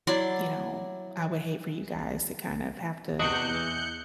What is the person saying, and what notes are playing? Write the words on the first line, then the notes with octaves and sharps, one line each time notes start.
you know? I would hate for you guys to kind of have to
F#3 E4 D5 C6
E2 C3 D4 F#4 D#5 F#6 G6 C#7
E3